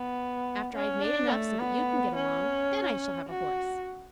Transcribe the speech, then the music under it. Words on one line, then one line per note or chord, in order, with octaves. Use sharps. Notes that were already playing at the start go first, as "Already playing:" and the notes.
After I have made enough so that you can get along, then I shall have a horse.
Already playing: B3
C#4
D4
A3
B3
C#4
F#4